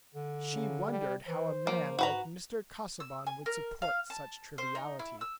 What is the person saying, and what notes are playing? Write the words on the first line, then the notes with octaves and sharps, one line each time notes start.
She wondered how a man like Mr. Casaubon would support such triviality.
D3
C#3
G3
E3 C5
F3 A#3
G#2 F#4 B4 A#5
E6
G#5
A#4
F5
A5
C5
D#4
E4
E6